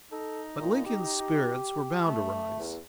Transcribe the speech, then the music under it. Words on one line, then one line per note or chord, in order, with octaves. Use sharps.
But Lincoln's spirits were bound to rise.
D#4 A4
A#2
G4
A3
E2